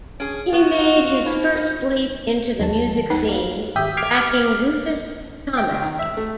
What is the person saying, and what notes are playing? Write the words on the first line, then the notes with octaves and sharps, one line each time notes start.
He made his first leap into the music scene backing Rufus Thomas.
C#4 G#4 D7
B3 F4 F#4
A#3 D#4 C5 B5
D#2 F#3 A5
D#4 B4 F#5
A#3 F5
G#1 G4 E5 D#6 G6 B6
D6 F6 G#6 B6 C7
G5
C#2
D#3
E5
A3